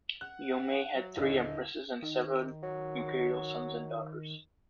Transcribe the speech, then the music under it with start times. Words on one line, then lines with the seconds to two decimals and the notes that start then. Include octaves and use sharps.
Yomei had three Empresses and seven Imperial sons and daughters.
0.21 F#5 F#6
0.94 F#3
1.17 D#1 D3 E4 D#5
2.02 D#3
2.63 F#3